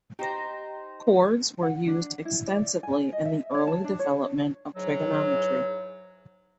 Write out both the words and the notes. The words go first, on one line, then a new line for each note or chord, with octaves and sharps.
Chords were used extensively in the early development of trigonometry.
D#4 G4 C5 A#5
F#5
D4
E4
D5
G#5
D#5
E5
C#5
A5
D4
C#5
G#2 E3 F#3